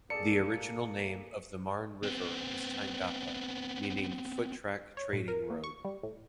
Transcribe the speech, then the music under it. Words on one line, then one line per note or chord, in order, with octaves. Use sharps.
The original name of the Marne River was Taingappa, meaning footrack-trading road.
A#3 G#4 A4 D5 C#7
B3 C4
C#5
A2
A#4
A#3
C#6
G3
A2